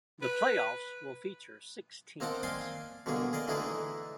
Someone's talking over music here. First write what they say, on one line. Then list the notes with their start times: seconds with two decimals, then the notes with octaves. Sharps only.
The playoffs will feature six teams.
0.22 B4
2.20 A#3 C4 D#4 F#5 G5 A5
2.43 D5 F5 G5 G#5 C6
3.06 B2 D3 G3 A#3 G#4
3.33 G#4 A#4 D5 D#5
3.48 D3 E3 A3 D#4 E4 G#4